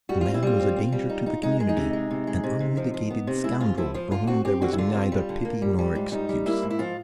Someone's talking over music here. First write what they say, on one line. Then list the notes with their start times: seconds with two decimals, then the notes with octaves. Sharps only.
The man was a danger to the community, an unmitigated scoundrel for whom there was neither pity nor excuse.
0.09 G3 F#4
0.21 C4 F4
0.34 E4
0.43 G3 F4
0.59 C4
0.76 C4
0.92 G3
1.09 D#4
1.26 D#4
1.43 G#3 D#4
1.60 G#3
1.69 D#4
1.77 C3
1.93 G#3
2.11 C3
2.27 G#3
2.44 C3
2.60 C3
2.77 F3
2.94 F3
3.10 B3
3.27 C3
3.44 G#3 E4
3.60 C3 F4
3.77 F3 E4
3.94 F3 F4
4.11 D3 F4
4.27 C4 F#4
4.45 C4 G4
4.62 D3 F#4
4.73 E4
4.78 D3 F4
4.95 C4
5.12 G3
5.29 D3
5.45 A#3
5.62 G3
5.79 G3
5.95 G#2
6.12 G3 D#4
6.29 G3
6.46 A#3 E4
6.62 G#2
6.70 E4
6.79 F3 F4